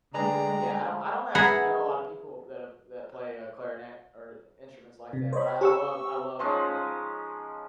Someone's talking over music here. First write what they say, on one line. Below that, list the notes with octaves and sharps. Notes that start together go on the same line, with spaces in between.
Yeah, I don't I don't actually know a lot of people that have that play, uh, clarinet or instruments like that, but I I love I love, you know,
D3 G#3 A3 D4 G#4 B4 G5 A#5
G#4 B4 E5 F#5 A#5
C3
C5 C#5 D#5 B5
G4 C#6 E6
F3 G#3 C#4 D#4